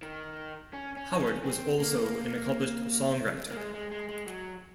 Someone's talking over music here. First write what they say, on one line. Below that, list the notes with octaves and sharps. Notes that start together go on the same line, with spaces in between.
Howard was also an accomplished songwriter.
D#3
C#4
C#4
D#4
C#4
C4
A#3
A#3
G#3
G#3
G#3
G#3
F#3